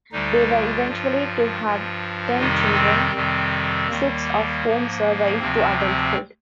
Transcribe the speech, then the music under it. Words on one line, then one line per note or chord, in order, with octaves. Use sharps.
They were eventually to have ten children, six of whom survived to adulthood.
D2 D3 G3 D#4
F4
G2 F3
G2 F3
F2 C3 D#3 G3 D#4
C4
F2 C3 D#3 G3
D#2 D#3 G3 A#3
G#2 F3
D2 C3 F3 C4
C4